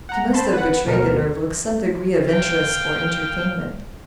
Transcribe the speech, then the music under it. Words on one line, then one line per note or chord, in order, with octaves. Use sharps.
She must have betrayed in her look some degree of interest or entertainment.
F#5 A#5
C4 C5 A5 B5 C6
B4 F#5
D2 B2 A#4 C#7
F5 G5